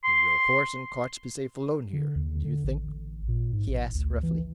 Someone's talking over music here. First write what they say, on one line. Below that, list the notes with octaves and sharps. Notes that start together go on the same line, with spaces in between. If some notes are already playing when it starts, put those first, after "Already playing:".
"Will your horse and cart be safe alone, here, do you think?" he asked roughly.
C6
D3
D#2
D3
A1
A#2
G#2
A1
D2
E3